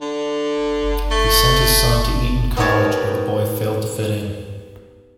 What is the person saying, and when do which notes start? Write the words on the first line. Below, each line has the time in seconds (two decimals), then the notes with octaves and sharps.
He sent his son to Eton College, where the boy failed to fit in.
0.02 D3
1.11 A3
2.57 B3 D#4 G4 A#4 C#5 A5